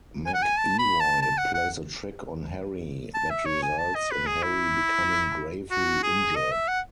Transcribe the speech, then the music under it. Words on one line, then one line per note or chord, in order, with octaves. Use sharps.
McEvoy plays a trick on Harry that results in Harry becoming gravely injured.
G#5
F#5
G#5
A5
B5
A5
A5
F#5
F#5
A5
E5
C#5
G#5
A5
D#5
B4
G#4
E4
F#4
G#4
D#5
E5
F#5